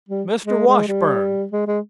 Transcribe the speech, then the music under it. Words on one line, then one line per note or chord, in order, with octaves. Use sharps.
"Mr. Washburn!"
G3
G#3
G#3
G3
G#3
G#3